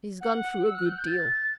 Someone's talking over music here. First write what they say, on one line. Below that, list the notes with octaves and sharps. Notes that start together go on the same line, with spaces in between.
He's gone through a good deal.
F#5
E6
F#6
G6
G6
A6